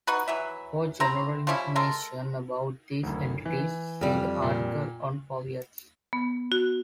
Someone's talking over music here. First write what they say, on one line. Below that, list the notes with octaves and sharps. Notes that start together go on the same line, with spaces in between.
For general information about these entities, see the article on powiats.
D#4 F#4 B4
E3 F#3 E5
C4 E4 A#5
F3 G3 C#4 E4
G#3 A4 A#4
F#1 D2
E3
F2 G3
A#2
B3
F#4